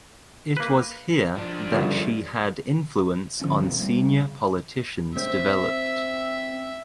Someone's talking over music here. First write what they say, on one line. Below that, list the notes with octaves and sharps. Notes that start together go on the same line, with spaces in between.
It was here that she had influence on senior politicians developed.
A#3 B4
F3 D4
G1 F#2 C#3
D3 F3 C4 C#4
E1 B1 B3 C4
G3 C4
C#3
C4 E5